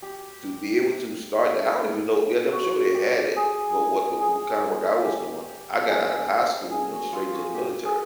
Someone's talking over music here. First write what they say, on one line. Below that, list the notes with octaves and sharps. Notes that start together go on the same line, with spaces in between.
to be able to start that I don't even know yeah, I'm sure they had it, wh what the w the kinda work I was doing, I got outta the high school, went straight into the military,
G4
F#4
G4
G#4
G#4
G4
A4
G#4
G#4
F#4
F4
F#4
G4
G#4